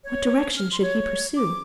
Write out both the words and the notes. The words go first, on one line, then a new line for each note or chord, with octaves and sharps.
What direction should he pursue?
C#5
F6
C6
C#5
D6